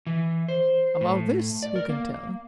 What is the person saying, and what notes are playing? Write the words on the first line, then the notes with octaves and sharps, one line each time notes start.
About this who can tell?
E3
C5
A2
D5
A#4
A#3